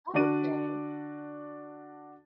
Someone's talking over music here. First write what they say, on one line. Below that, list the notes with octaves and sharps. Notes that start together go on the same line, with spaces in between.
Oh, okay.
D3 D4 F#4 D5 D#7